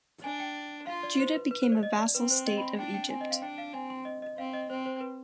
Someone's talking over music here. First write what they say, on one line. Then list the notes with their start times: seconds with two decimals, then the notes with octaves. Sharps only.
Judah became a vassal state of Egypt.
0.23 D4 G#5
0.40 G5
0.87 F4 F5
1.03 D5
1.19 C5
1.35 B4
1.51 B4
1.62 C5
1.72 D5
1.83 D#5
1.99 D5
2.14 C4 B4
2.30 C5
2.47 D#5
2.58 B5
2.62 C6
2.78 D4 G5
2.94 G5
3.10 C4 G#5
3.21 D#5
3.31 F5
3.42 D4 G5
3.58 F5
3.73 C4 G#5
3.90 C6
4.05 D#5
4.22 D#5
4.38 C4 F5
4.54 D#5
4.69 C4 C5
4.86 C5
5.01 B4